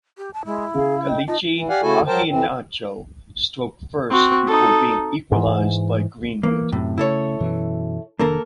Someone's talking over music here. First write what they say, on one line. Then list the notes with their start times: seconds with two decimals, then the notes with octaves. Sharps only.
Kelechi Iheanacho stroke first before being equalised by Greenwood.
0.18 G4
0.34 A5
0.46 G#3 E4
0.75 C#3 G#4 F5
1.08 D#5 G5
1.28 D#4 F4 D#5 A5
1.56 E3
1.69 G4 D5 F5 F#5 G#5
1.82 C#3 A3 E4 F#4 A4 G#5
2.07 F#3 A#4 C5 G5 A5
2.28 F2 E3 C4
4.10 C4 F#4
4.46 D#4 A4
5.32 G#2 E3
6.43 E3 A#3
6.72 F#2 A2 C3
6.98 C#3 A3 E4 A4 C#5
7.40 F#2 B2 E3
8.19 F1 D#3 A#3 D4 A4 A#4